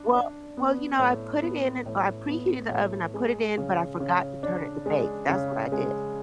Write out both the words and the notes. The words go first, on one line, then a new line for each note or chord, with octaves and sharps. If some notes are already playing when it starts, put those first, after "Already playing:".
Well well, you know, I put it in, and I preheated the oven I put it in, but I forgot to turn it to bake, that's what I did.
Already playing: D4
D4
B3
A2
B3
A2
B3
A2
G#3
C#3
C#3
D4
G#3
C#3
G#3